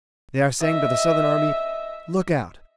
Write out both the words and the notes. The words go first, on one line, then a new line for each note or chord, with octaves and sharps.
They are saying to the Southern army: 'Look out!
D#5 E5